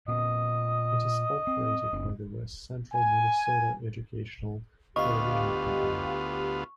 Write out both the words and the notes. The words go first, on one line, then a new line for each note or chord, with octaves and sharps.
It is operated by the West Central Minnesota Educational Television Company.
A#2 B3 C#4 D#5
C4
F#1 C4 D4
G#5
D2 B3 F4 G4 D#5 F5 C#6